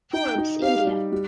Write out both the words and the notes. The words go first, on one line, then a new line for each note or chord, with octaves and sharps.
Forbes India.
D#4 G5
D#4
G4 F5
G3
G3